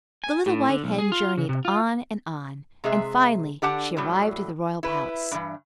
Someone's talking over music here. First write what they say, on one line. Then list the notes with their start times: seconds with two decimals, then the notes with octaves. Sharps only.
The little white hen journeyed on and on, and finally she arrived at the royal palace.
0.24 G#5
0.46 A2
0.69 D3
0.84 B1
0.98 G#4
1.12 F4
1.38 C#3
1.49 C3
1.65 F4
2.84 C3 G#3 G#4 E5
3.62 D3 G4 F#5 A5
3.97 A2 F#3 G3
4.83 E4 B4
5.31 G2 E3